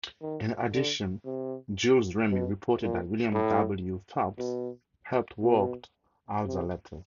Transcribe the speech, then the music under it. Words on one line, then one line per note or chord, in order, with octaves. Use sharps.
In addition, Jules Remy reported that William W. Phelps helped work out the letters.
D#3
D3
C3
B2
A#2
A2
B2
B2
C3